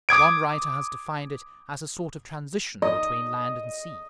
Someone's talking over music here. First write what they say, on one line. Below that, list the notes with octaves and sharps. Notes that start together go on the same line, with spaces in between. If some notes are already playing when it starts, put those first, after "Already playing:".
One writer has defined it as a sort of transition between land and sea.
D6 D#6 G#6 D7
D#5